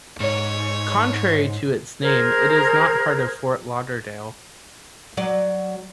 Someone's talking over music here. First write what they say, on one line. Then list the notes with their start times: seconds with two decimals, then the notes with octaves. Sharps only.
Contrary to its name, it is not part of Fort Lauderdale.
0.20 G#2 C#5
2.02 G#4 A#4 C5 G#6
5.17 F#3 D5